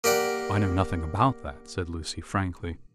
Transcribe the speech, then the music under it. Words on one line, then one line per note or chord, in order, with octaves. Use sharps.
"I know nothing about that," said Lucy, frankly.
A#3 G4 D5 F#5